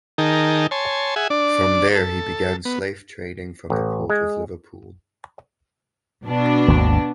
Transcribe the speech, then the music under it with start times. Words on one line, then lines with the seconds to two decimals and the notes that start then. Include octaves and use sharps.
From there he began slave trading from the Port of Liverpool.
0.18 D#3 D#4 G#4 A#4 G5 A5
0.71 C#5 G#5 A5 C6
1.16 G#4 E5 F#5 G#5
1.30 D4 D5
1.95 A4
2.65 B3
3.70 A1
4.10 G#3
6.25 B2 D4
6.68 G#1 D#2